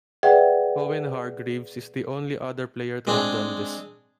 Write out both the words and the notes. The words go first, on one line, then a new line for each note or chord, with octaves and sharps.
Owen Hargreaves is the only other player to have done this.
G#4 B4 D5 E5 F#5 G5
G#3 C4 D4 G#4